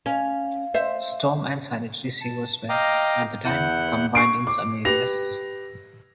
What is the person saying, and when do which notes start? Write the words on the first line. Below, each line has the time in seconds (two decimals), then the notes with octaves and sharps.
Storm and sanitary sewers were, at the time, combined in some areas.
0.06 C#4 F5
0.74 C5 E5
2.21 A5
2.69 D#5 F5 G5 A#5 D6
3.45 E2 E4 F#5 F#6 G6
4.15 C#6 C7 D7
4.47 D6
4.85 G4 B4 A#6 F7